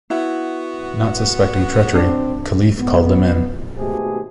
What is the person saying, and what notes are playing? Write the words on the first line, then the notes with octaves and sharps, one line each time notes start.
Not suspecting treachery, Caliph called them in.
B3 E4 F#4
C4 D4
B3
G#1 B2 A3 G4 G#4 C5